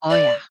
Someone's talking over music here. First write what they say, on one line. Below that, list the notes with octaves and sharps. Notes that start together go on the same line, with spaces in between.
Oh, yeah.
D5